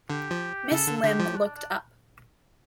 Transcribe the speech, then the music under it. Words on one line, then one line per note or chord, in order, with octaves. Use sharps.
Miss Limb looked up.
D3 G4
F3
C#3 A4
D3
A4
D3 G4
F3
D4
D4